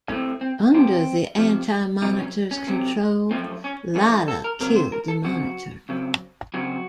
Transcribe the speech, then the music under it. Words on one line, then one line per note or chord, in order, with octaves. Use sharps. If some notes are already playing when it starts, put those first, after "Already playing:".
Under the Anti-Monitor's control, Lyla killed the Monitor.
A2 A3 C4 C#4
C4
F2 C3 F3 C4
F2 C3 F3
C3 F#3 C4 D#4
C#4
C#4
C3 F#3 C4
F#2 F3 A3 C4
C#4
F#2 F3 A3 C#4
D#4
A4
A#4
C#3 F#3 C4 A#4
C5
A#4
A4
C#3 F#3 C4 F#4
C#3 F#3 C4
C#3 F#3 C4 F#4